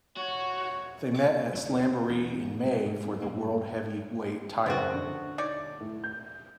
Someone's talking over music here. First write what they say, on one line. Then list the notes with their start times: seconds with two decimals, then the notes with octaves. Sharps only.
They met at Slamboree in May for the World Heavyweight Title.
0.17 F#4 C#5
1.53 F#1 D2 F#3
1.66 D#2
2.09 A1 E2 B2
2.65 G#3
2.86 G#2
3.22 G2 A#2 A#3
4.66 F#1 B3 C4 F#4
4.94 D3
5.38 D#4 C#5 D5
5.80 A2
6.04 G6